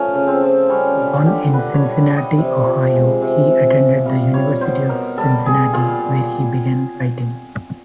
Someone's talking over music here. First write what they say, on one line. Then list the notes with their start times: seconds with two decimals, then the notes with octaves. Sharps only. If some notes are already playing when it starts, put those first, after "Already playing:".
Born in Cincinnati, Ohio, he attended the University of Cincinnati where he began writing.
Already playing: F3 A3 C#4
0.14 C#3
0.27 C4
0.41 F3
0.69 G3 C#4
0.98 G3
1.26 D3 G4
1.54 D3 B4
1.74 C#5
1.82 G3
2.09 G3
2.17 D#5
2.37 C3
2.66 F3
2.94 G#3
3.22 C3
3.50 C3
3.77 F3
4.05 G3 F5
4.34 G3 C#5
4.61 B2 C5
4.89 B2 A#4
5.18 G3 A4
5.46 G3 G#4
5.73 A#2 F4